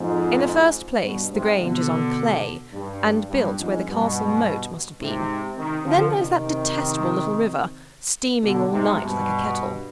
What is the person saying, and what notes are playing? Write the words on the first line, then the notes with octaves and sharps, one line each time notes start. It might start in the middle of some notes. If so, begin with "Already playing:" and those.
In the first place, the Grange is on clay, and built where the castle moat must have been; then there's that destestable little river, steaming all night like a kettle.
Already playing: F2 G#2
G2 B2
G#2 C3
B2 D3
G2
G2
F2 G#2
G2 B2
G#2 C3
C3 D#3
D3 F3
C3 D#3
B2 D3
G#2 C3
G2 B2